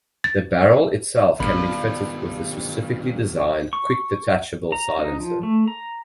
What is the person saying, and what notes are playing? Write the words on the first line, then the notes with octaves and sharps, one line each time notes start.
The barrel itself can be fitted with a specially designed quick-detachable silencer.
A6
A#1 G2 B2 D#3 F3 B5
C#6
A#5
D#4
F3
A3
A#5